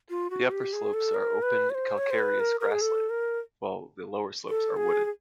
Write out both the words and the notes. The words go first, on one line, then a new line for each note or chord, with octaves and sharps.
The upper slopes are open calcareous grassland, while the lower slopes are wooded.
F4
F#4
G4
G#4
A4
A#4
B4
C#5
C5
C#5
C5
B4
A#4
A#4
G#4
A4
A#4
A4
G#4
G#4